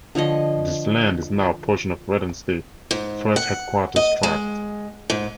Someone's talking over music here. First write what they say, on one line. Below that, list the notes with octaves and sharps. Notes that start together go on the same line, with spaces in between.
This land is now a portion of Redden State Forest's Headquarters Tract.
D3 F3 C#5 D#5
G#2
F#5
D#5
G#3
G#2